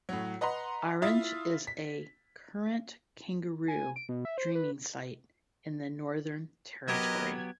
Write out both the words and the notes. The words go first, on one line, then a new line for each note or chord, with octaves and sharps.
Aherrenge is a current kangaroo dreaming site in the Northern Territory.
A2 F#3
B4 D#5 F#5 A#5 C6
E4 F4 E5 D#6 A6
B6
G#5
D7
B2
E5
C5
B4
F#3 B3 G4 A#4 B4 D#5 G#6